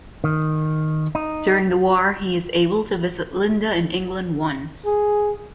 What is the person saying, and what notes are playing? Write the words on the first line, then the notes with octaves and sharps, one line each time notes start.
During the war, he is able to visit Linda in England once.
D#3
D#4
G#4